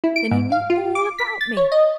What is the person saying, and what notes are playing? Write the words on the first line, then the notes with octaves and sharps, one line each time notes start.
Then he knew all about me!
E4
D7
G#2
F5
F4
D6
B6
A6
C#5
D#5